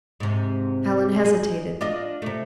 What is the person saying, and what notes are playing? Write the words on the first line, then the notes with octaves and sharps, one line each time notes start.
Allan hesitated.
G#2 C3
D#4 G#4
D4 F4 D#5
C3 A3